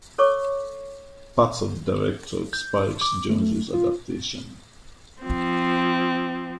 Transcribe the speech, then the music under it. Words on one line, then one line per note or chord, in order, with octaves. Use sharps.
Parts of director Spike Jonze's Adaptation.
A4 C#5 C#6 D6
G6
D6
A3
F4
F3 C4